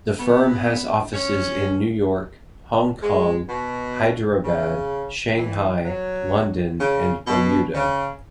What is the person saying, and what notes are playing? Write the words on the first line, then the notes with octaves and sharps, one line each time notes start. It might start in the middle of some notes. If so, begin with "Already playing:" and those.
The firm has offices in New York, Hong Kong, Hyderabad, Shanghai, London and Bermuda.
B3
C#4
G#3
B2
C#3
E3
F#3
C#3
B2
C#3